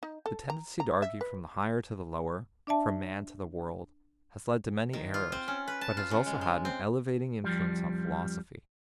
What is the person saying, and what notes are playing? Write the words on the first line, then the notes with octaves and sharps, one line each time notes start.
The tendency to argue from the higher to the lower, from man to the world, has led to many errors, but has also had an elevating influence on philosophy.
D#4
A4
A#5
A#5
E5
B4
D4 D5 E5 A5
D#3
F4
C4
C#4
B4
A5
F4
C#3
G#3
G#3
C4
F2 F3 G3